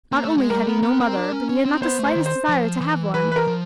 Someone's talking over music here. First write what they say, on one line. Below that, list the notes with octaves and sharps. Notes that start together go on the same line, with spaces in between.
Not only had he no mother, but he had not the slightest desire to have one.
A#3
A3
G#3
G3 A#4
B3
B3
C4
D4
C#4
C#4
C4
B3 C5
A3
C5
D#3
C5
F3
E3
E3 B4
B4
A#4
F3